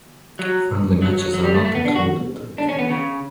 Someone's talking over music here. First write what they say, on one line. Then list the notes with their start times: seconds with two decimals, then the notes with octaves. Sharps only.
Friendly matches are not included.
0.39 F#3
1.02 F#3
1.18 F#3
1.34 F#3
1.44 G3
1.54 A3
1.65 A3
1.75 B3
1.85 D4
1.96 F#4
2.58 D4
2.69 C#4
2.79 B3
2.90 C#3